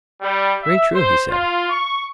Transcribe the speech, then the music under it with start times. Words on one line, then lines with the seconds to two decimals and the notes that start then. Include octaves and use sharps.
Very true, he said.
0.21 G3
0.62 E5
0.94 C5
1.29 F4
1.70 C#6